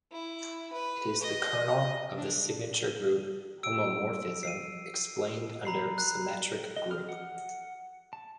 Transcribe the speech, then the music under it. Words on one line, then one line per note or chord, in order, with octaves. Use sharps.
It is the kernel of the signature group homomorphism explained under symmetric group.
E4
B4
D#5
D4
E6 D7
C7 D#7
A#5 B5 C7
F#6
D#5
F6
F#5
A5